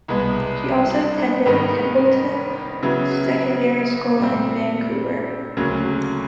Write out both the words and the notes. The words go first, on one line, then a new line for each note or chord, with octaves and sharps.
She also attended Templeton Secondary School in Vancouver.
C2 B2 G#3 B3
G#2 D#3 G3 B3 D#4
C#3 F#3 B3 E4
A#2 G3 C4
D2 C#3 F#3 A#3